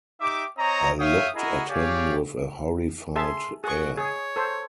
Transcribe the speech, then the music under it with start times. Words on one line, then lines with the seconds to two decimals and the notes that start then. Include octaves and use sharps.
I looked at him with a horrified air.
0.20 D#4 G4 E5 D6
0.58 C4 C#5 D#5 A#5
0.99 C#5 E5 F5 G5 D#6
1.36 E4 F#4 G#4 A#4 D#5
1.69 G4 G#4 C#5 D5 F5
3.16 G#4 E5 A5 C6
3.64 F#4 G#4 C#6
3.97 G#4 C#5
4.36 A4 C5